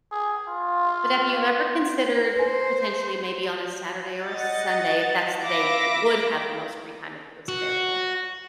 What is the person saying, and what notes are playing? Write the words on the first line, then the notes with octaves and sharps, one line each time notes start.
But have you ever considered, potentially, maybe on a Saturday or a Sunday, if that's the day you would have the most free time, if it was available,
G#4
F4
B4 C5 G#5
D#5 F#5 A6
E5 F5 B5 D6 A#6
F#4